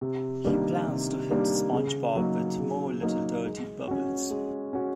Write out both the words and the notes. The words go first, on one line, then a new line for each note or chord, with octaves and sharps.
He plans to hit SpongeBob with more Little Dirty Bubbles.
C3
D#3 G3 A#3 D4
C3
D#3 G3 A#3 D4
C#3
F#3 A#3 D#4
C#3
F#3 A#3 D#4
G#3
C#4 F#4
G#3
C#4 F#4